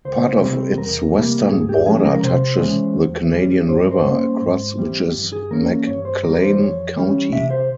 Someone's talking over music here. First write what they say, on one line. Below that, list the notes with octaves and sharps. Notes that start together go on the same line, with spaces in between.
Part of its western border touches the Canadian River, across which is McClain County.
C#2 C5
C3 G3 C4
E2 A#4
C3 G3 A#3
G#2 G#4
G4
F3 G#3 C#4 G#4
A#4
C3 C5
E3 G#3 C#4
E2
E3 G3 C#4
G2 C5
A#4
C5
G3 A#3 C#4
G#2
E3 G3 C4
G2
G#4
E3 A#3 C#4 A#4
G2 C#5
C5
E3 G3 A#4
A#4
C5
F2 C#5
E3 G3 C#4
C3 E5
C5